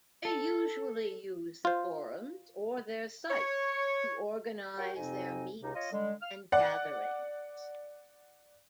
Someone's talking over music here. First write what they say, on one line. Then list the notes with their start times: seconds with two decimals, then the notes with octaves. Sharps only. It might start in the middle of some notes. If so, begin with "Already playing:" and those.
They usually use the forums or their site to organize their meets and gatherings.
0.25 A4
1.65 F4 C5
3.29 C#5
4.77 F#4 G4 A#4 C#5 G5
4.96 F2 C3 C4 D#4 G#5
5.62 C#2 C3 D#4
5.75 F4 C#5 D#5
5.91 D3 G3 G#3
6.22 F5 F6
6.52 D5 F#5